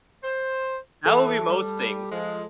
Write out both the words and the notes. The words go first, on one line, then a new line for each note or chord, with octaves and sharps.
that would be most things.
C5
E3 A4
G3
F3 G#3